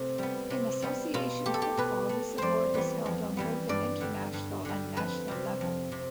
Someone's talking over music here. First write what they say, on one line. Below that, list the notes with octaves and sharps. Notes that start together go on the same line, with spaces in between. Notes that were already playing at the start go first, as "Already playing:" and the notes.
In association football, this award is held on both an international and national level.
Already playing: C3 A3
G3 B3
C3
G3 B3
B2 F4
A3 G4
A4
G4
B2 B4
A3
F2 C5 D5
E3 G3 B3
F2
E3 G3 B3
G2 D5
D3 G3
G2
D3 G3
F2 B4
C3 G3
F2
C3